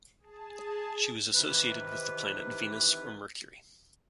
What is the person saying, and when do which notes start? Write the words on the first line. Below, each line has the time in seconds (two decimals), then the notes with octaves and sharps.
She was associated with the planet Venus or Mercury.
0.19 G#4 A5
1.33 C3 D#3 E3 B4